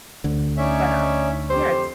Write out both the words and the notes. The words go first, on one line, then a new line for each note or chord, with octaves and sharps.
but, um Yeah, it's
D2 D3
C#4 D#4 C#5 D5 E5
F2 G4 C5